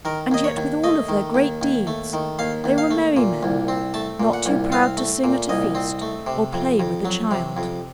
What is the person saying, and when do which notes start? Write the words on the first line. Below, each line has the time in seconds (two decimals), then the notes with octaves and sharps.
And yet with all of their great deeds they were merry men, not too proud to sing at a feast or play with a child.
0.05 D#3 A#4
0.31 D#2 D#5
0.44 C#5
0.57 D#2
0.84 A3 D#5
1.09 D#3
1.34 D#2
1.62 D#2
1.87 A3
2.13 D#3
2.39 D#2 F5
2.64 D#2
2.78 F5
2.91 A3
3.17 A#2
3.43 C2
3.68 C4
3.94 A3 A5
4.20 A#2
4.34 F#5
4.46 C2
4.72 C4 F5
4.97 A3
5.24 A#2
5.49 C2 D#5
5.75 C4
6.02 A3
6.27 C3
6.53 F2
6.80 F2
7.05 F#3
7.31 C3
7.57 F2